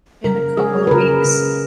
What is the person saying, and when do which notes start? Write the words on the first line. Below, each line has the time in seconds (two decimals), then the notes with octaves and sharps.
in a couple of weeks.
0.24 C#3 A#4
0.57 G#3 G#4
0.87 B4
0.91 C#3 A#4
1.24 C#3